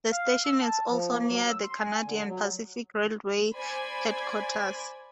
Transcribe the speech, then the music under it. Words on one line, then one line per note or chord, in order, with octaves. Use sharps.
The station is also near the Canadian Pacific Railway headquarters.
F5
E6
A5
F3
A#3
F#3
E6
C6
G#5
D3
F#3
C5 D5 G#5 B5 G#6